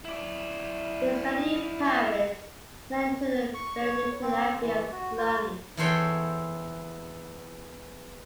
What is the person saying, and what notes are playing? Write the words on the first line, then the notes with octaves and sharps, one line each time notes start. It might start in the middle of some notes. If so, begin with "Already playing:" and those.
He studied in Paris and entered the Benedictine Abbey of Cluny.
E4 D5
C#6
C#5
C4
E3
F#4
F4
E2 E3 A4 C5 C#5 G5